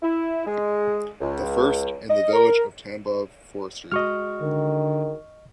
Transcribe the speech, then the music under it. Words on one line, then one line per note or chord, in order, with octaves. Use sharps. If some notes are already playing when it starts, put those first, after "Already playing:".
The first - in the village of Tambov Forestry.
E4
G#3
C#2
D#5
A#4
G#3 F#4 D#5 C#6 F6
D3 D#3